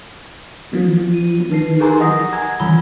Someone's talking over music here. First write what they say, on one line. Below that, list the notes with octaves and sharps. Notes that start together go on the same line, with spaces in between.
Mhm. Mhm.
D#7
B4 C7
G4 G#4 A#4 G#5 A#5 C6
D#5 F#5 D#6 A#6
F#5 G#5 A#5 G#6
D#3 E3 G3 F4 B5 G7